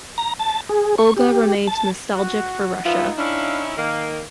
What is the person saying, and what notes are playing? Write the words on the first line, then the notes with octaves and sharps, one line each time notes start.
Olga remained nostalgic for Russia.
A#5
A5
G#4
C#6
G4
A5
F#4 F#5
B3 D#4 F4 E5
C#4 D4 E4 F5
D#3 A#3 F5